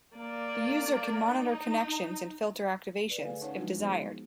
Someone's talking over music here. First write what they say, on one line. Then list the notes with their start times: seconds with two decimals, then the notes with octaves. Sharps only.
The user can monitor connections and filter activations, if desired.
0.17 A#3 D5
1.32 D#4
3.10 B4 D5
3.23 D3 A3 G#4 A4 F5 G#5
3.41 C#4 D#4 C#5 F#5 A5 C#6
3.55 F3 F#3 G#3 D4 F4 F#4
3.79 B3 D#4 G#4 C5